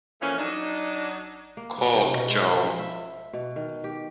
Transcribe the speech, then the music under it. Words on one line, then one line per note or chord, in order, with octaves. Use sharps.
Call Joe.
A#2 E3 F3 A3 A#3 C#4
F#3 D4 D#4
A#3
B3
C3
B2
G#3
F3
E5
B2
D#3
G4